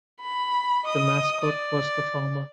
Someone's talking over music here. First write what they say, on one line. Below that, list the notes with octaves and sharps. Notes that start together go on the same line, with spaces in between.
The mascot was the Farmer.
B5
D#5 D#6
D5